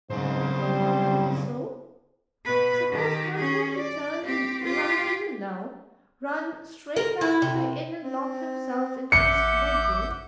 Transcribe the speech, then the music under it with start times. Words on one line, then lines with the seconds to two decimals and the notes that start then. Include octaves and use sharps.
So? Suppose one were to turn and run even now, run straight back to the inn and lock himself into his bedroom?
0.10 B1 G#2 C#3 C5
0.60 G3
2.45 B2 B4
2.91 D#3 G4
3.36 C#4 G#4
3.76 D5
4.25 C4 G4
4.64 F4 G4
6.96 A#4
7.21 E4
7.42 C3
8.03 C4
9.12 A1 E5 F#5 D6 G6 C#7